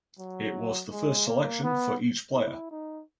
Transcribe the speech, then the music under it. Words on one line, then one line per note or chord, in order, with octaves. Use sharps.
It was the first selection for each player.
F#3
G#3
A#3
B3
E4
D#4